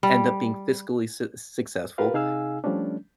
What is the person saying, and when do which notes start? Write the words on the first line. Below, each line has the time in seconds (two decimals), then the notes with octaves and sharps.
end up being fiscally succes successful,
0.03 G3
1.98 F4 G4 A#4 B4 F5
2.14 C3 D#4 G#4 F5 G#5 E6
2.64 F3 G3 A3 C#4 D4